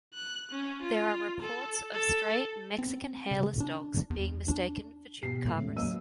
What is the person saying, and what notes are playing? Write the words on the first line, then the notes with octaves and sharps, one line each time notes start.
There are reports of stray Mexican Hairless Dogs being mistaken for chupacabras.
F#6
C#4
F4
A4
A4
C4
C#3
D4
E2
D4
B2 G4 C7
E1 A2
C#4
F#3 A#3 D#5 E6 D#7